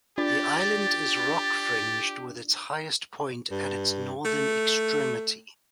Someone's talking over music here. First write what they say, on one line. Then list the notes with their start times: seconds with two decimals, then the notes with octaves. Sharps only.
The island is rock fringed with its highest point at its northern extremity.
0.18 D4 F4 G4 D5 A6
3.51 G2
4.25 A3